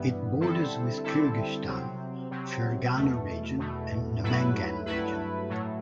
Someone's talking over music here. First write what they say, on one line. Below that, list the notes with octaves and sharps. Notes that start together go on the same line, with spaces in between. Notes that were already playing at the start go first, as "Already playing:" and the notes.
It borders with Kyrgyzstan, Fergana Region and Namangan Region.
Already playing: G2 E3 G3 B3
D3 G3 C4 E4 A4
D3 G3 C4 E4 A4
C3 F#3 C4
C3 F#3 C4
E2 B2 A3
E2 B2 A3
G2 F#3 A3 E4 B4
G2 F#3 A3 E4 B4
A2 F#3 A3